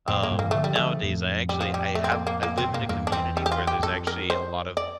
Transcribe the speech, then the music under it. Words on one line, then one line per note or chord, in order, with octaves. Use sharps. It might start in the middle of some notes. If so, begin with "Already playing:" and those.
um, nowadays I actually I have I live in a community where there's actually a lot of,
F2 A2 C4
A#3
G2 A#2
E3 A#3
D3 F3 A3
G3
D3 F3 A3
F2 A2
G3
F3
G3
A3
C4
A#3
A#3
A#3
C3 C4
A#2
A2 A#3
E2 G2 A#3
D4
E2 C4
G3
G4
F4
G4
E2
F2 A4
A#4
C5
D5